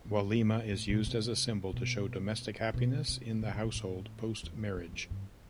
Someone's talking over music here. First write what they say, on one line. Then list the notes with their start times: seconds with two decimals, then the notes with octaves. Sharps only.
"Walima" is used as a symbol to show domestic happiness in the household post-marriage.
0.05 A2
0.39 A2
0.72 A2
0.89 A#2
1.06 C3
1.73 B2
2.74 B2
3.09 C3
3.42 B2
3.53 A#2
3.64 A#2
3.75 A2
4.43 E2
4.77 F2
4.93 F2
5.10 G2